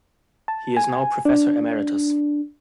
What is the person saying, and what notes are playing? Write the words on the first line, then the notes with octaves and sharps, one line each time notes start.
He is now professor emeritus.
A5
G#5
D4